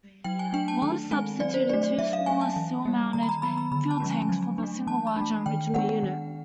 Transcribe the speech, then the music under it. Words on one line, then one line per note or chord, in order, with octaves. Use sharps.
Wallace substituted two smaller, sill-mounted fuel tanks for the single larger original unit.
F#3 G5
G#5
A3 D4 G5
A5
D#3 A5
G#3 C4 G#5
F#3 D5
C5
A3 D4 D5
D5
F#3 E5
F5
A3 C#4 G#5
A5
E3
G3 A#3
D#3 A#5
B5
A#5
F#3 B3 B5
B5
D3 B5
A5
F3 G#3 C#4
G#5
F#3
A3 D4
E3 A5
B5
A3 D4
D#3 G5
G#3 B3 D4 F#5
D#3